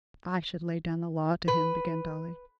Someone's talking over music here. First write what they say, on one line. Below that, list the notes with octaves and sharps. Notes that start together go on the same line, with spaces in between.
"I should lay down the law to him--" began Dolly.
B4